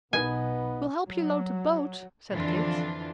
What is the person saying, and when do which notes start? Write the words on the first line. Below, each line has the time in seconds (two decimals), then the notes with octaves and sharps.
"We'll help you load the boat," said Kit.
0.13 B1 B2 B3 D#4 B4 D#5 G#5
1.08 F#3
2.31 F2 D3 E3 D4 F4